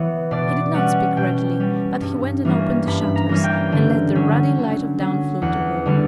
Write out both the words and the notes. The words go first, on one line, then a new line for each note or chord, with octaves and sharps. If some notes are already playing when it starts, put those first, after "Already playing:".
He did not speak readily; but he went and opened the shutters, and let the ruddy light of dawn flood the room.
Already playing: E3 B3 B4 C#5
B2 D5
G3 C#4 F#5
B2 G5
G3 C#4
G2
E3 G3 A#3 C#4
G2 B5
A#5
E3 G3 A#3 C#4
G5
D3
F#3 C#4
D3
F#3 C#4
E2 F#5
D3 G3 B3